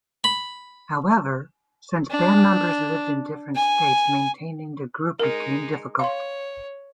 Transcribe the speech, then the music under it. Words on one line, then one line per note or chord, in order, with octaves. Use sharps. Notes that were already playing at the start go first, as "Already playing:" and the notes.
However, since band members lived in different states maintaining the group became difficult.
B5
D4
G#5
G#3 D#4 A#4
C#5 F5 C6